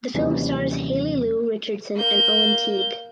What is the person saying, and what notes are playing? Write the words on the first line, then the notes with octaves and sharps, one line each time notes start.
The film stars Haley Lu Richardson and Owen Teague.
D#2 C3 E3 F#3 G3 C#4
A#3 G6